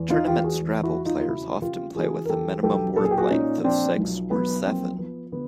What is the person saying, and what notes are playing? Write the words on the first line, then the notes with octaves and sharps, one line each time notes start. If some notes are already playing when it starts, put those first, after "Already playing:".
Tournament Scrabble players often play with a minimum word length of six or seven.
Already playing: E2
D#4 F4
E3 F4 G4
F#4 G#4
E2
E4 F#4
E2
D#4 F4
F4
C#3 E4 F#4
C#3 F4 G4
E3 F#4 G#4
A#4
E2 G4 A4
B1 G4 A4
A#2 A4
G#4
G4
F#4 G#4
A#2 C#4 D#4
F3 C4 D4
B1
B1 B3
F3 A#3 C4
F3 B3
D3 B3